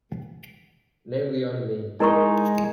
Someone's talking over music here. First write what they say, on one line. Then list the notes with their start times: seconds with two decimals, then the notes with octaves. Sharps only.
Namely on me!
2.00 G#3 D#4 E4 A#4 C#6